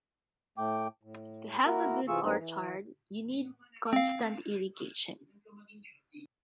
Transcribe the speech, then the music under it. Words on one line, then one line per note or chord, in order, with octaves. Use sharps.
To have a good orchard, you need constant irrigation.
A2 A3 G5 D6
A2
A#3 E4 F#4 A#4
C3 E3 F4 G#4 C#6 E6
G2 F3 A#3 C4 D#4
E3
C4 F5